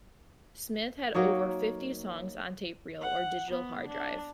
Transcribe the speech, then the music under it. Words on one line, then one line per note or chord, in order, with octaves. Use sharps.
Smith had over fifty songs on tape reel or digital hard drive.
F#3 A#3 D#4 C#5
F#5
B3
D4